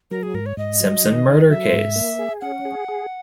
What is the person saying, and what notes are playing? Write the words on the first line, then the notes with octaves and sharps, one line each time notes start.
Simpson murder case.
F#3 A#4
G#4
G#2 A#4
C#5
G#2 D#5
F#3
D#3
D#3
F#3 E5
G#2
A#3
G#4
C#4 F#5
G#4
G#4